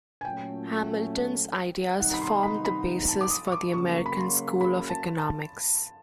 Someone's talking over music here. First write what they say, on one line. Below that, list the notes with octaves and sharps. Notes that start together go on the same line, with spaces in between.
Hamilton's ideas formed the basis for the "American School" of economics.
G#5
A#2 F#3 A3 C#4 G5
C3 D#3 G3 B3 D#4 F#5
B5
C6
B5
B5
A5
D6
D#6
C#6
D6
C#3 F#3 A#3 C#6
B5
C6
B5
A5
A5